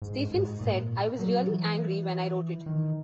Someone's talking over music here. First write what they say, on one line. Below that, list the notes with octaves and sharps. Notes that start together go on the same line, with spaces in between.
Stephens said I was really angry when I wrote it.
G#2
G#2
A#2
F#3
E3
D#3